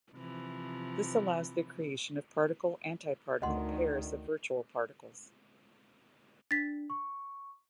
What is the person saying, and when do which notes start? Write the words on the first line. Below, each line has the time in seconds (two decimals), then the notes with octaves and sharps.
This allows the creation of particle-antiparticle pairs of virtual particles.
0.16 C3 E3 F3
3.42 D2 D#3 D#5 F#5 C6
6.51 D4 A6 B6
6.90 C#6